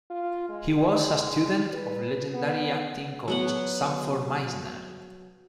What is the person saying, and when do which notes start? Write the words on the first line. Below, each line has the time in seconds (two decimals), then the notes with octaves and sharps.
He was a student of legendary acting coach Sanford Meisner.
0.10 F4
0.49 G#3
0.99 G#3
1.74 B4
2.34 B3
3.28 F#3 B3 F#5